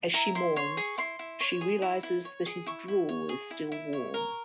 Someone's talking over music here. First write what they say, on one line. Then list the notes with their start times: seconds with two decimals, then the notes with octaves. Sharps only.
As she mourns, she realizes that his drool is still warm.
0.13 E4 A#5
0.35 E4 C6
0.56 C#5 C6
0.77 G#4 C#6
0.98 E4 C6
1.19 E4
1.40 C#5
1.61 G#4
1.82 E4
2.03 E4
2.25 C#5
2.46 G#4
2.66 E4 C#6
2.88 E4
3.09 C#5
3.29 G#4
3.51 E4
3.72 E4
3.93 C#5
4.14 A#4